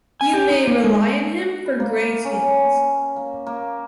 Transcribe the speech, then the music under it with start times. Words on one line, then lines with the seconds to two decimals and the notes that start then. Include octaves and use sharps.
You may rely on him for great things.
0.21 G#5
0.34 G4
0.50 D#4
0.67 A#3
0.84 G#3
1.66 B4
1.80 A#3
2.25 C#4
3.16 A#3
3.47 A#3